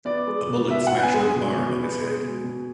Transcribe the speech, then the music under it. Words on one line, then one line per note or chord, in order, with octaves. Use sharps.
A bullet smashed on the bar above his head.
B3 D5
G#3
B2
B2 E5
F#5
B3
G#5
G#3
G#5
B2
B2
B3
G#3
B2
B2